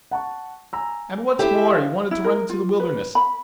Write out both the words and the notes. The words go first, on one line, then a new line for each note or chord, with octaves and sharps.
And what's more, he wanted to run into the wilderness!
F#5 A5 C#6
G#5 A#5 E6
E4 G4 A4 C5 E5
F5
E4
A#4
F4
B4
B5